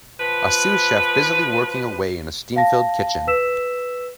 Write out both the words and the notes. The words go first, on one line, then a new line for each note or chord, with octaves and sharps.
A sous chef busily working away in a steamfilled kitchen.
F3 B4
F5 A5 A#6
B4 E6 B6 E7